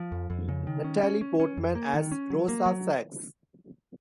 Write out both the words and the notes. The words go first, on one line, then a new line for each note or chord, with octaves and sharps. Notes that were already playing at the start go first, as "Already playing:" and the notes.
Natalie Portman as Rosa Saks.
Already playing: F3
F2
F2
C#3
D#3
C#4
C#4
C#4
C#4
F2
A#3
D#3
C#4
F#3
A#3
F#3